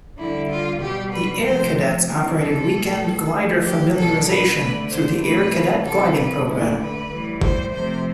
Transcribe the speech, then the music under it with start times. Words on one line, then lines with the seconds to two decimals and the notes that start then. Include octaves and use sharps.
The Air Cadets operated weekend glider familiarization through the Air Cadet Gliding Program.
0.18 D3 G3 E4
0.50 F4
0.81 B2 G3 G4
1.13 B4
1.44 C3 F3 A3 C5
2.07 C3 E3 G3
2.38 A4
2.70 B2 A3
3.33 D3 F3 A3
3.65 G4
3.96 B2 G3 A4
4.28 B4
4.60 D3 A3
4.91 C5
5.22 C3 E3 A3 B4
5.85 C3 E3 G3 A4
6.16 B4
6.48 D3 A3 E4
6.79 B4
7.11 A2 E3 G3
7.43 C5
7.74 C3 F3 A3 C5